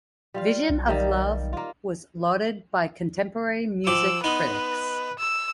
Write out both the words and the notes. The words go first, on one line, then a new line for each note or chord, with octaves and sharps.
"Vision of Love" was lauded by contemporary music critics.
G3 F4 F5
B1
D#3 G3 A#3
A#3 F4
F3 G5 D6 E6
B3 D#4 B4 C6
E6